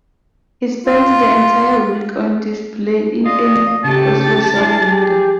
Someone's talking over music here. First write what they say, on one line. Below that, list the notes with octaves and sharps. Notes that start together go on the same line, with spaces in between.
He spent the entire week on display in an Oslo shop window.
F4
F4 D5 D#5
C#3 A3 G4 A5
G#3 D4 E4 G#4
G4 G#4